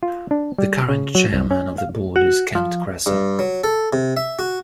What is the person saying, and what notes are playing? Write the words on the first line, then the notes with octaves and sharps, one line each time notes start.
The current Chairman of the Board is Kent Kresa.
F4
D4
G3
C#3
F#3
C2
C#4
F5
F#4
F3
G2
F#3
A4
C3
E5
F#4